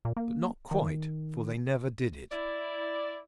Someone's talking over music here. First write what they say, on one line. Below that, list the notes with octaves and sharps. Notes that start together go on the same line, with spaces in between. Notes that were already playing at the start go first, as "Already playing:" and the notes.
But not quite, for they never did it.
A#2
A#3
D#3
E4 D5